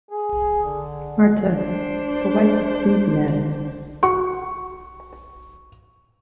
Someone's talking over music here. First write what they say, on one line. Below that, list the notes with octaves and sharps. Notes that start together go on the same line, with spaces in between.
Marthe- The wife of Cincinnatus.
G#4
D3
D4 C5
F#4 F#5 C#6